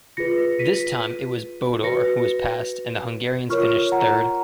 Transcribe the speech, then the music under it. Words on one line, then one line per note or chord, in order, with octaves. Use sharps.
This time it was Bodor who was passed, and the Hungarians finished third.
F4 G#4 B4 A#6 C#7
B6 D#7
F#4 B4 A#6 C#7
F4 A#4 C#5 C#6 F6
F#5 A#5